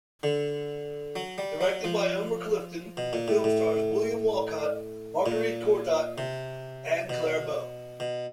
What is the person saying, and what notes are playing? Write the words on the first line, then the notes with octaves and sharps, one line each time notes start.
Directed by Elmer Clifton, the film stars William Walcott, Marguerite Courtot, and Clara Bow.
D3
F#3
G3
F#3
F3
B2
A#2
A2
A2
A#2
C3
B2
B2